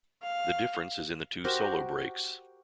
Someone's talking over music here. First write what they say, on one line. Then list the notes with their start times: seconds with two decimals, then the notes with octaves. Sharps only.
The difference is in the two solo breaks.
0.23 F5
1.44 F#4 G4 A#4 C5